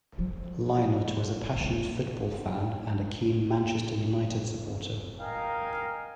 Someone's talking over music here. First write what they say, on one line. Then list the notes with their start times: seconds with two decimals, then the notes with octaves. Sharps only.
Lynott was a passionate football fan, and a keen Manchester United supporter.
0.18 F3 G3
5.20 A#4 D#5 F5 G5 G#5